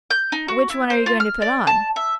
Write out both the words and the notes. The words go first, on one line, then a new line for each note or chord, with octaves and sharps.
"Which one are you going to put on?"
G6
D#4
F#4
E4
C5
F4
F6
D5
A5
E5